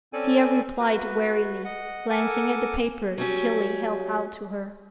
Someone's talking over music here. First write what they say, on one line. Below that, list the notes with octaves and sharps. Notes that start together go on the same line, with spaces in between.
Thea replied wearily, glancing at the paper Tillie held out to her.
C4 C#4 A4 D5 G#5
F#4 B4
D#5 F#5
A4 A#4 F#5 G#5 D6
F#3 G3 C#4